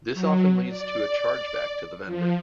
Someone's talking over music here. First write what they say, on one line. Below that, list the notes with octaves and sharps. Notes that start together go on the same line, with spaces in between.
This often leads to a chargeback to the vendor.
F#3
D5
F3